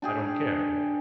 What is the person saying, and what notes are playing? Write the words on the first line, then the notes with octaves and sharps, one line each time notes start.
I don't care.
D4 G4 G#4